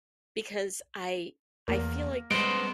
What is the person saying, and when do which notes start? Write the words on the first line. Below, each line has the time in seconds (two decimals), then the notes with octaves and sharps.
Because I I feel like
1.68 E2 A#3
2.31 G3 G#3 B3 C5 D#5 D7